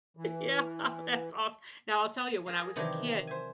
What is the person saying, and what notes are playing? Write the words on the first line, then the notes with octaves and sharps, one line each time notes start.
Yeah, that's awes Now, I'll tell you, when I was a kid,
E3
G#4 A#4 F5
C3 D#3 E3 F#3 D4 G4
C5 E5 G#5